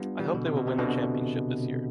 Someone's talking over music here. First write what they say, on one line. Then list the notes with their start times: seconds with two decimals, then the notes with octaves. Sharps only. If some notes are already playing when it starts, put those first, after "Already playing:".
I hope they will win the championship this year.
Already playing: G3 B3 D4 F4
0.20 E3 G3
0.34 B2 D3
0.46 C3
0.57 B2
0.67 C3
0.78 B2 D3